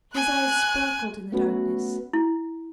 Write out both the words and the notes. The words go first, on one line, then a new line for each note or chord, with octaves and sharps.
His eyes sparkled in the darkness.
G#5 F#6
A3 B3 C#4 F#4 B4
E4